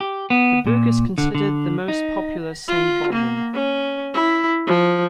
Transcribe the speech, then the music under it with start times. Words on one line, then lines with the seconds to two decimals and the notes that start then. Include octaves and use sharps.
The book is considered the most popular Saint volume.
0.01 G4
0.30 B3
0.67 A#2
1.18 D3
1.35 D3
1.88 D#4
2.68 F4
3.13 A#3
3.54 C#4
4.14 E4
4.67 F3